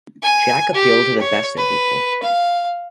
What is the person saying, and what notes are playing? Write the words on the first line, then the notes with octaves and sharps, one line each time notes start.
Jack appealed to the best in people.
G#5
G4
C#5
B4
F5